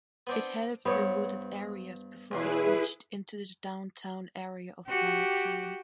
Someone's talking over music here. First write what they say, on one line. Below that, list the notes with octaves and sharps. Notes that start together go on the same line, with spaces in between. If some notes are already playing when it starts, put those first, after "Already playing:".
It headed through wooded areas before it reached into the downtown area of Leonardtown.
B3 C4 D4
G2 B3 C4 C#5
B1 E2 E4 G#4 B4 C6
F#4 G4